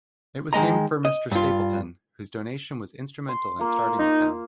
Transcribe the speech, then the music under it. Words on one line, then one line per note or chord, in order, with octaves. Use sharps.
It was named for Mr. Stapleton, whose donation was instrumental in starting the town.
D#3 G#3 D#5 A#5
D#5
G2 F4
C6
A#3 F4
D#4